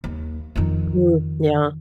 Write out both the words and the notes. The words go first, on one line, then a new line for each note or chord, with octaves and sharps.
Mm, yeah.
D#2
F2 D#3